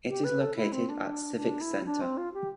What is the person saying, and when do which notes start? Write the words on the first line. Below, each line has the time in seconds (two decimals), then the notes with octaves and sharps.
It is located at Civic Centre.
0.09 G4
0.24 B4
0.41 A4
0.56 E4
0.72 C4
0.89 D4
1.37 D4
1.61 E4
1.86 D4
2.01 C4
2.17 F4
2.34 G4